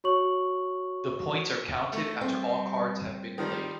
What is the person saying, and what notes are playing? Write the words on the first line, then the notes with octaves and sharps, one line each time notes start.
The points are counted after all cards have been played.
F#4 C#5 C#6 F#7
A3
G3 C4
D#3 F3 G3